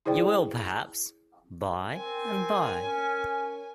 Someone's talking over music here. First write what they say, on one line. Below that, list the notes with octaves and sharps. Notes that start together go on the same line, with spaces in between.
You will, perhaps — bye and bye.
E4 G#4 C5 D5 G5
C4 A#4 G#5
C#4